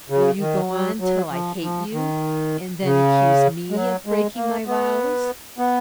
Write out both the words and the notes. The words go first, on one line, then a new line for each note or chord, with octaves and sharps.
Will you go on till I hate you, and then accuse me of breaking my vows?'
C#3
D#3
F#3
F#3
F3
F3
D#3
C#3
G#3
F#3
G#3
A#3
B3
B3